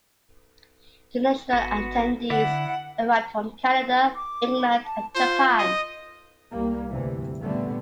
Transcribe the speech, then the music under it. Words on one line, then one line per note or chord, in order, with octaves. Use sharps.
International attendees arrived from Canada, England and Japan.
G#1 B3 F#4
D3 E4 D5 F#5
D6
A5
F4 C5
D#5
C2 G3 A#3
D2 G2 C3 E3
A#2 D3 G3 A3 B3